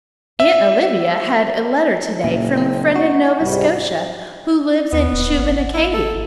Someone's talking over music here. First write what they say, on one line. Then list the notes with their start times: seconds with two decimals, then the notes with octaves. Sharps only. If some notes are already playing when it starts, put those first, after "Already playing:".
Aunt Olivia had a letter today from a friend in Nova Scotia, who lives in Shubenacadie.
0.40 E5
2.24 F#1 A#2
2.57 C4
2.92 D#4 F#4
3.40 C2 G#2 C3 G3
4.92 D#2 B3
5.12 D1
5.38 G#1
5.74 E4
5.93 A4